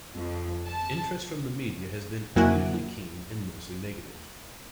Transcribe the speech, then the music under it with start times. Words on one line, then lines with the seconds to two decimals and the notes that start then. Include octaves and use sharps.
Interest from the media has been unusually keen, and mostly negative.
0.16 F2
0.66 A5
2.36 F2 F#3 A#3 E4 F#5 G#5